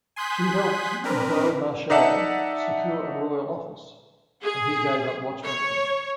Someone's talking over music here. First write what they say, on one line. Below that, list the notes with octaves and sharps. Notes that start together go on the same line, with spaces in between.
She helped Beaumarchais secure a royal office, and he gave up watchmaking.
G#5 C6 D#6 F#6 G6 B6
C4 D4 A#4 B4
D#4 D5 E5 F#5 A5
G#4
C#5